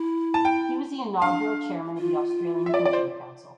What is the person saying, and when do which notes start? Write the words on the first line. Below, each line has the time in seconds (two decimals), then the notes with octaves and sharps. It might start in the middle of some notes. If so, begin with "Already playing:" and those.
He was the inaugural chairman of the Australian Coaching Council.
Already playing: E4
0.34 A5
0.45 G5
1.21 D4 F5
1.98 F4
2.66 E5
2.74 D5
2.85 D5
2.93 C5